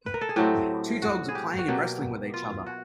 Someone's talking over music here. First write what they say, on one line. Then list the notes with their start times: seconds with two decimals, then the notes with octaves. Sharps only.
Two dogs are playing and wrestling with each other.
0.06 B4
0.14 A#4
0.21 A4
0.29 G#4
0.36 A2 F#3 A3 C4 G4
1.02 F#4
1.29 G#4
1.35 G4
1.59 F#4
1.68 B2 F#3 A#3 G4
2.34 F4
2.66 F#4